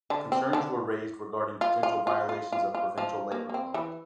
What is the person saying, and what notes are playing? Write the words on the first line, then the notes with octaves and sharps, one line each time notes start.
Concerns were raised regarding potential violations of provincial labour laws.
D3 D4
C4
D3 D4
F4
F4
F4
F4
F4
F4
F3 F4
A#3
A#3
C4
E3 E4